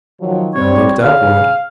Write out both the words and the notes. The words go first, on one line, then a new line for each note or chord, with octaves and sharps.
I looked upward.
D#3 F3 F#3
G3 C4 C#5
C#3 F5